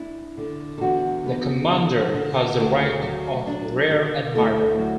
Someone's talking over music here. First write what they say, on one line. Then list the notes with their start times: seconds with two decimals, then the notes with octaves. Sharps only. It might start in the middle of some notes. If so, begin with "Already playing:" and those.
The commander has the rank of rear admiral.
Already playing: D4 E4
0.37 D3
0.78 A4
0.81 E2 D4 F#4
1.26 B3
1.70 D4
2.14 D3
2.59 D2
3.02 F#3
3.47 D4
3.90 D3
4.35 D2 E4 A4
4.79 F#3